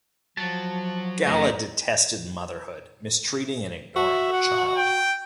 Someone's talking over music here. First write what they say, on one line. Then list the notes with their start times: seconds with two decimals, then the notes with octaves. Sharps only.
Gala detested motherhood, mistreating and ignoring her child.
0.37 F3 F#3 A5
1.27 F2 C#3 A3 D#5
3.96 F#4 E5
4.33 F#5
4.77 G5